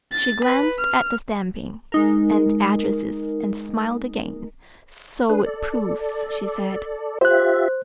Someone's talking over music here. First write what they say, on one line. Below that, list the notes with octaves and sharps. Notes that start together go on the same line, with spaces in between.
She glanced at the stamping and addresses and smiled again: "So it proves," she said.
A6
B4
F6
G#3 D#4 A#4
D4 G#4 B4
A4 D5
F4 G4 C5 E5 F#6